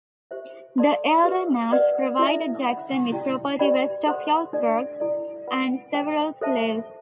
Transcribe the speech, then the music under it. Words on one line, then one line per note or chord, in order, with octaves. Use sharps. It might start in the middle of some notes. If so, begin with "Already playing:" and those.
The elder Nash provided Jackson with property west of Hillsborough, and several slaves.
G4 C5 E5
A4 D5 A5 C6
G4 B4 E5
B4 D5 F#5
E4 A4 E5
C5 F#5 B5
E4 G4 D5 G5 C6
G4 B4 D5 G5 B5
A4 C5 F#5 C6
D4 A4 D5
E4 A4 D5
B4 F#5 B5
A4 C5 G5
A4 C5 E5 A5